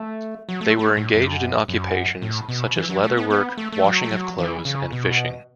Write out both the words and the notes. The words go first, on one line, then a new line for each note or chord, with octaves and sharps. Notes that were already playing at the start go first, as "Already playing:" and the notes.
They were engaged in occupations such as leather work, washing of clothes and fishing.
Already playing: A3
F#3
A3
A3
A2
F#2
F#2
A2
B2
E3
F#3
A3
B3
B3
A3
A3
F#3
A3
F#3
E3
C#3
B2